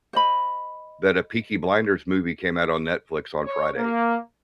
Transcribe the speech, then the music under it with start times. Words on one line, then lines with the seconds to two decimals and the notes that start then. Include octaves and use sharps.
that a Peaky Blinders movie came out on Netflix on Friday.
0.13 C5 D#5 B5
3.46 C#5
3.77 A#3